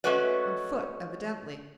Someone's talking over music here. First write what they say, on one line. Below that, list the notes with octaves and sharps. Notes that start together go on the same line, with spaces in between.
On foot, evidently.
G#3 A3 C#4 F#4 B4 D5